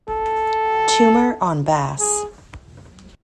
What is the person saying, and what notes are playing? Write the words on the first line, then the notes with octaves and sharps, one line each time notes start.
Tumor on bass.
A4
G#4